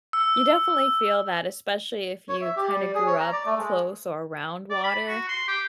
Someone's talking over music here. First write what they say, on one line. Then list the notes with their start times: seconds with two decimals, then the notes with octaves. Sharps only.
You definitely feel that, especially if you kinda grew up close or around water,
0.13 E6
2.29 C#5
2.42 E5
2.56 G4
2.73 G3
2.95 G#4
3.07 C#5
3.20 A#5
3.32 D5
3.46 A3
3.58 G#3
4.70 D5
4.84 B5
5.08 F#4
5.28 C6
5.48 G4